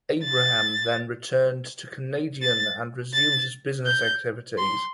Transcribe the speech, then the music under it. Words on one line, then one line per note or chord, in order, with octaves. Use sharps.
Abraham then returned to Canadian and resumed his business activities.
A6
A6
A6
G6
C6